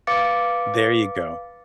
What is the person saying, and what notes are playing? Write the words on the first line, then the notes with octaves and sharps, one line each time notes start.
There you go.
B4 F5 D6 A6 C#7